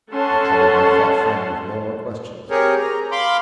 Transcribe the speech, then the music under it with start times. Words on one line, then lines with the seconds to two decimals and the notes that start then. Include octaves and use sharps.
I troubled my fat friend with no more questions.
0.11 C#4 A4 F#5 A5 C6
2.49 C4 G4 G#4 A#4 C#5
2.78 A#5
3.12 F5 B5 C6 D6